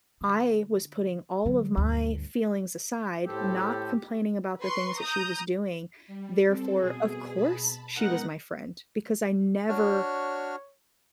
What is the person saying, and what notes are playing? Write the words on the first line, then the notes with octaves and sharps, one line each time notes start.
I was putting all of my feelings aside, not complaining about the things that she was doing. Therefore, of course, she was my friend because I never
D3
D3 F#3
D2 G2
A2 G4 A4 C5
B4 C6 C#6
A#5 D#6 G6
G3
C4 A4
B2 G#4
A5 B5
G#3 B3 D#4 A#4 F#5 A#6
D4 F#4 C#5 F6